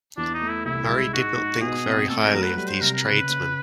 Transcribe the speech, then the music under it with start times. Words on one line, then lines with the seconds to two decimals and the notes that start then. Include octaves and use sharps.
Murray did not think very highly of these tradesmen.
0.17 E2 D4
0.34 D#4
0.42 A3
0.49 E4
0.65 C2 E4
0.89 G#3
1.13 G#2 F#4
1.37 G#2
1.61 B2 G#4
1.86 C4
2.09 A3 A4
2.25 A#4
2.33 F#3
2.42 B4
2.57 G3 B4
2.70 C5
2.81 C3 A#4
2.93 A#4
3.05 C#3 B4
3.29 C#3